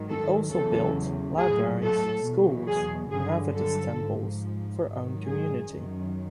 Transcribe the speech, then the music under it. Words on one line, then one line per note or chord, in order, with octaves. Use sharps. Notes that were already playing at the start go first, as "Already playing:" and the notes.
He also built libraries schools and Ravidas temples for own community.
Already playing: G#2 D#3 F#3
A4
E2 C#3 F#3 A4
A2 F#3 G#4
A4
E2 B2 F#3
G#4
G2 D3 F#3 G#4
A4
G#2 F3
G#2 D#3 F#3
G#4
F#2 D#3 F#3